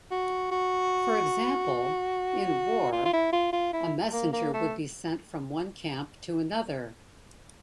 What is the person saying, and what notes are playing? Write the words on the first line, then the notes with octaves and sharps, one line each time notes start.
For example, in war, a messenger would be sent from one camp to another.
F#4
F#4
F4
F4
E4
F4
F4
E4
A#3
A#3
A3